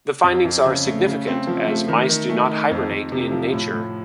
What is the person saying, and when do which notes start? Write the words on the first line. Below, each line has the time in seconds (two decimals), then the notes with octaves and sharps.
The findings are significant, as mice do not hibernate in nature.
0.24 F2
0.45 F2
0.65 C#3
0.86 A3
1.07 C#3
1.27 C4
1.47 F3
1.67 A3
1.88 D#3
2.09 D#3
2.29 A3
2.50 D#4
2.71 F2
2.91 F2
3.12 C3
3.32 F3
3.53 A2
3.74 A2